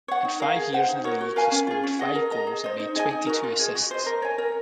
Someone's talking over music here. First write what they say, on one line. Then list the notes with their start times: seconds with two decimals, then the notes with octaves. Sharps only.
In five years in the league, he scored five goals and made twenty-two assists.
0.08 C#5 F#5
0.25 D#4
0.40 A#4 F5
0.56 G#4
0.72 C5 F#5
0.88 D#4
1.05 F#4 A#4 C#5
1.21 F#4
1.36 A#4 F5 G#5
1.52 C#4
1.67 F4 G#4
1.83 C#4
1.99 G#4 D#5 F#5
2.15 A#4
2.31 D#5 A#5
2.47 G#4
2.64 C5 D#5
2.80 D#4
2.96 G#4 D#5 G#5
3.11 D#4
3.27 F#4 A#4
3.44 F4
3.59 G#4 D#5
3.75 F#4
3.91 C5 D#5
4.06 A#4
4.22 C#5 G#5
4.38 A#4